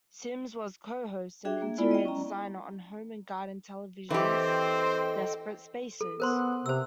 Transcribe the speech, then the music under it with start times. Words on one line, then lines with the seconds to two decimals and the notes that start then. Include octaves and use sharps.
Simms was a co-host and interior designer on Home and Garden Television's "Desperate Spaces".
1.45 D4 F#4 G#4 E5 G5
1.62 A#3
1.78 G#3 B3 E4 F4 D5 B5
1.91 D#5 G5
2.05 C#4 A#5
4.10 E3 C4 G4 A4 C5 D#5 G5
6.01 A4
6.20 B3 A#4 C5 C6
6.66 C3 C5 E6